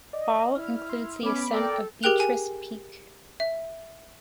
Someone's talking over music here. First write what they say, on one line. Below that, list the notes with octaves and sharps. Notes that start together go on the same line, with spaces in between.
Ball includes the ascent of Beatrice Peak.
D5 D#5
E4 F6
C6
B3 C#4 B5 D6
A4 A#4 D5 G5
G4 G#4 A#4 G5 F#6 F7
G#5
E5